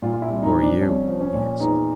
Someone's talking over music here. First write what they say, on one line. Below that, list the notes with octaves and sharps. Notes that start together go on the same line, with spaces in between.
"Who are you?" he asked.
A#2 F4
F4
E4
C2
D#4
F3
D4
C2 C#4
F3
C#4
A#2
E2 D#4